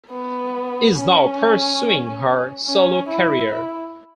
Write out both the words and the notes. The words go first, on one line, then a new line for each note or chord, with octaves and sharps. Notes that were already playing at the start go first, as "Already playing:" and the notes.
Is now pursuing her solo career.
B3
C#4
C#4
E4
E4